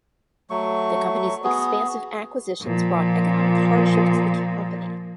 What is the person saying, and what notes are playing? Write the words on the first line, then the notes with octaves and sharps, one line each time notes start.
The company's expansive acquisitions brought economic hardship to the company.
F#3 A3 C#6
B3 F#4 G#4
A#2 F3